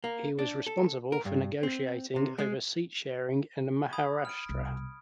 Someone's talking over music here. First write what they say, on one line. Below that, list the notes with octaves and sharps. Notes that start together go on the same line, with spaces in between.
He was responsible for negotiating over seat-sharing in Maharashtra.
A#3
D4
A4
A#4
G2
C4
C3
G#3
B5 D#6 G#6
F6 D7
C2 B2